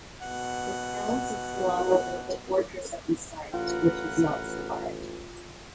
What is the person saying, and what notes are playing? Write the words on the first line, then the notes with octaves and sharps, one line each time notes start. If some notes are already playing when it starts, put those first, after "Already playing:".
The counts of Celano built a fortress at this site, which has not survived.
B2 F#5
A1 F4 A#4 B4 F#5